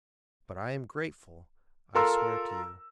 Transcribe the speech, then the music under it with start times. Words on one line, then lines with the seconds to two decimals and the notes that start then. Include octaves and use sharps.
"But I am grateful, I swear to you."
1.95 F4 A4 A#4 C6 E6